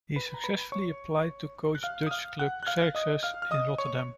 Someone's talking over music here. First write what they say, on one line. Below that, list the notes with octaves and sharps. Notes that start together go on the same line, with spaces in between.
He successfully applied to coach Dutch club Xerxes in Rotterdam.
B4 B5
A#5
B4 B5
C#5 C#6
F#6
F5 F6
D#6
F5 F6
F#5 F#6
F#6
F5 F6
D#5 D#6
F5 F6
F6
D#5 D#6
C#5 C#6